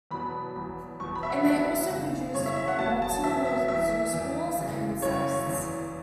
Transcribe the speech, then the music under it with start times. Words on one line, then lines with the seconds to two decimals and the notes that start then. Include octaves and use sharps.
It may also produce motile zoospores and cysts.
0.11 E2 B2 F#3 B5
0.56 E2 B2 F#3
1.00 E2 B2 F#3 C#6
1.15 B5
1.23 E5
1.30 F#5
1.44 E2 B2 F#3 E5
1.90 F#2 C#3 E3
2.34 F#2 C#3 E3 C#5
2.46 E5
2.56 E5
2.68 F#5
2.79 E2 B2 F#3 A5
3.02 A5
3.24 E2 B2 F#3 E5
3.45 E5
3.68 E2 E3 E5
4.13 E2 E3
4.58 F#2 C#3 E3
5.02 F#2 C#3 E3 C#5
5.47 E2 E3